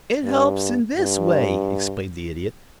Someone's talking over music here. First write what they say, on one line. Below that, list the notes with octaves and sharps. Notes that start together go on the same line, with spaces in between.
"It helps in this way," explained the Idiot.
G2
G2